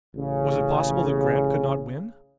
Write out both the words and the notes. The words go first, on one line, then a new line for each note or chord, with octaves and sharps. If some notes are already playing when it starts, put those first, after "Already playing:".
Was it possible that Grant could not win?
A1 C#3